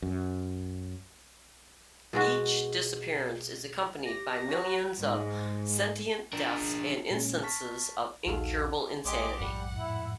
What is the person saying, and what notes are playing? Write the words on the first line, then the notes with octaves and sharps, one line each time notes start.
Each disappearance is accompanied by millions of sentient deaths and instances of incurable insanity.
F#2
B2 G#3 F#4
G4 A#6
F#3 F#4
G#2
D4 A#4
A#2 G#3 A#3 C#4
A5 C#6 F6 B6
A#1 D#2 D#4 F#4 A4 F5
A#1 G#3 G4 D6
F2 G#2 G3 F#5
A2 E4